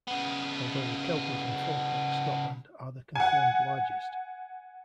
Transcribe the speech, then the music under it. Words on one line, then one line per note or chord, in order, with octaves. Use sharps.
Although the Kelpies in Falkirk, Scotland are the confirmed largest.
C#3 B3
F#5 G#5